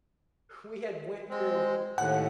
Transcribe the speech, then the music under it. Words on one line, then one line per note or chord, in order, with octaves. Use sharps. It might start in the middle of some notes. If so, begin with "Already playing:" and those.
we had went through
G#3 C4
D#2 A2 F#5